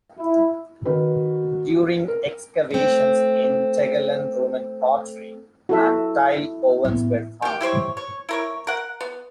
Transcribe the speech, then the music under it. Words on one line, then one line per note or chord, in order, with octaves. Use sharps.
During excavations in Tegelen Roman pottery and tile ovens were found.
E4
D#3 F#4 B4
A#4
A3 C4
E4 F#4 A4 E5
A1 B3
D#3 G4
E4 G4 C5 C#5
C#5
E4 A#4 C#5
A#4 F#5
B3